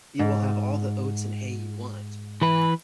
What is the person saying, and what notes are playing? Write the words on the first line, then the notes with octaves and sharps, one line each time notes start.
You will have all the oats and hay you want.
G#2
E3 B4